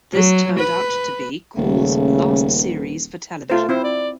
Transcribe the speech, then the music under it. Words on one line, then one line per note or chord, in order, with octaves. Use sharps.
This turned out to be Cool's last series for television.
F#3
B4
D#1 C#3 A3
A3 F4 C5
C4 E4 C5
D5